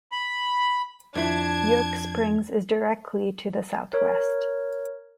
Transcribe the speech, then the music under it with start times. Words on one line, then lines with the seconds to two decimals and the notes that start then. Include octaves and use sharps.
York Springs is directly to the southwest.
0.12 B5
1.15 F2 D4 E4 A5 G#6
3.93 A#4 C#5